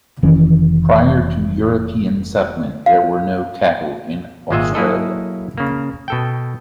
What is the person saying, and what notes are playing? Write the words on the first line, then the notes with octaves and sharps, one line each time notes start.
Prior to European settlement there were no cattle in Australia.
F1 D#3 E3 C#4
F5
G#1 A#2 G#3 F4 D#5 E5
F#3 A#3 E4 G#4 A4 D#5
C#3 A#3
B2 A4 G5